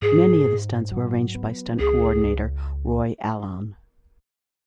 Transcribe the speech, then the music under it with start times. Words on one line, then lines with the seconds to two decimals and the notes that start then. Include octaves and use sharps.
Many of the stunts were arranged by Stunt coordinator Roy Alon.
0.02 G#2 G#4
0.47 G#2
0.91 F#3
1.35 B3
1.79 C#2 G#4
2.23 C#2